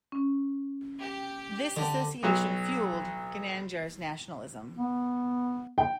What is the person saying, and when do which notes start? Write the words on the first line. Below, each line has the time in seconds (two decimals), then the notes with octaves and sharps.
This association fueled Ginandjar's nationalism.
0.12 C#4
1.00 G4
1.77 D3
2.23 B1 F#3
4.77 B3
5.78 G5